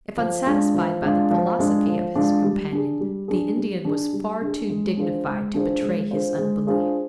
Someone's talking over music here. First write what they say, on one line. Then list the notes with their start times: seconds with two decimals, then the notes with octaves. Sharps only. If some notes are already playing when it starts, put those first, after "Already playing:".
If unsatisfied by the philosophy of his companion, the Indian was far too dignified to betray his unbelief.
0.18 F3
0.46 G#3 D4 F4
0.75 F3
1.02 G#3 D4 F4
1.31 F3
1.59 G#3 D4 F4
1.87 F3
2.15 G#3 D4 F4
2.44 G3
2.72 D4 G#4
3.00 G3
3.28 D4 G#4
3.57 G3
3.85 D4 G#4
4.13 G3
4.41 D4 G#4
4.70 G#3
4.97 D4 F4 G#4 C5
5.26 G#3
5.54 D4 F4 G#4 C5
5.82 G#3
6.11 D4 F4 G#4 C5
6.38 G#3
6.67 D4 F4 G#4 C5